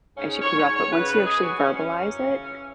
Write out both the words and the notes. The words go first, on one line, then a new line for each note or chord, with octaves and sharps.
I should keep it up, but once you actually verbalize it,
G#2 C#4
G#2 C#5
C#5
F#3
C#5
C#3 B4
B4
G#3
G#4
E3 F#4
C#4
E3
C#4
F#2
C#3
E3